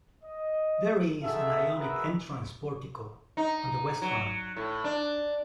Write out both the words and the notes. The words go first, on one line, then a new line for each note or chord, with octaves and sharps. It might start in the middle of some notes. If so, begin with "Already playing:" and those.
There is an Ionic entrance portico on the west front.
D#5
D#4 F4 F#4 G#4 A4 E5
F#4 G#4 A#4 B4 E5
D#4
F#3
A2
D4